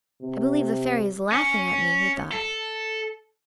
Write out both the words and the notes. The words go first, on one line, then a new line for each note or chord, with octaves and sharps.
"I believe the Fairy is laughing at me," he thought.
C3
C#4
A4